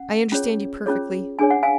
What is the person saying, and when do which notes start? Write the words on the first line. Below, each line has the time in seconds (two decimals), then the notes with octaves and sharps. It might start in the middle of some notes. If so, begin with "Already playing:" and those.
I understand you perfectly.
Already playing: C#4 F#5
0.32 C#4 F4 G#4 C#5
0.86 C#4 F4 G#4 C#5
1.39 D4 G#4 C#5 G#5
1.50 F#5
1.63 F5 G#5